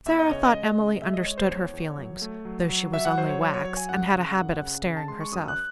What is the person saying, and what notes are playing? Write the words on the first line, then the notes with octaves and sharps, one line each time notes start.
Sara thought Emily understood her feelings, though she was only wax and had a habit of staring herself.
E2 E5
D#5
C#3 C#5
D#5
G#3
C#3
G#3 E5
D#5
G#3 C#5
C5
E2 C#5
E2
F#3
A3
F#3
F#3
F#3 E5
F#5
F#3 C5
C#5
F#3 C#5
C#5
F#3 C#5
G#5
F#2 F#5
C#3
F#2
C#3
C#3
A5
G#3 C6
C#6
F#2 D#6
F#6